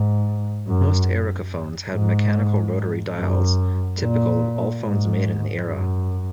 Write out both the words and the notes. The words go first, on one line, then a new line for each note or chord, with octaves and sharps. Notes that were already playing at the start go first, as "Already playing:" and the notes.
Most Ericofons had mechanical rotary dials, typical of all phones made in the era.
Already playing: G#2
F#2
G#2
F#2
A#2
G#2
F#2